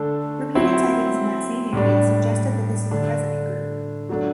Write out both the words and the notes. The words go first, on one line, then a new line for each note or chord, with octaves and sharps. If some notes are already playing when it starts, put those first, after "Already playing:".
Repeated sightings in that same area suggested that this is a resident group.
Already playing: D3 A3 D4 A4
F#3 C4 E4
A2 G3 D4
D3 A3 D4
F#3 A3 D4